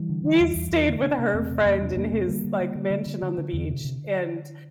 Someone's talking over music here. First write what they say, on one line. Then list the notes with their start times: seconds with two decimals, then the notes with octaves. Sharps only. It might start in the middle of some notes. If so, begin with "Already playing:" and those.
we stayed with her friend in his, like, mansion on the beach, and
Already playing: E3 G3
0.09 D3
0.25 D3
0.40 E2
0.56 E2
0.72 E2
0.88 D3
1.03 C3 A#3 D4
1.18 C3
1.34 E2 A3 C4
1.50 C3
1.61 A3
1.65 E2 G3 A#3
1.81 C3 A#3 D4
1.96 E2 A#3 D4
2.12 C3 A3 C4
2.28 D3 G3 A#3
2.45 D3
2.60 D3
2.75 D3
2.90 D3
3.06 D3
3.22 D3
3.38 D3
3.53 E2 D3
3.70 C3
3.84 C3